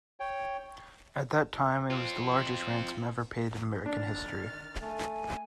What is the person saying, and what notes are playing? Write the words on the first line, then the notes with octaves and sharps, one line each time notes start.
At that time it was the largest ransom ever paid in American history.
C#5 G5
C4 F4
D#3 D4 F6 A6
A3 G#5